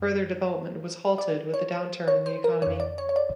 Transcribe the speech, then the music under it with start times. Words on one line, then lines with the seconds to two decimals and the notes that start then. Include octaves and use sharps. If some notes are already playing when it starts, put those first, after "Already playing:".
Further development was halted with the downturn in the economy.
Already playing: F#2
1.18 D5
1.54 C#5
2.08 C#5
2.26 C5
2.44 A#4
2.62 D3 C#5
2.66 F2
2.80 D5
2.98 C#5
3.09 C#5
3.16 D5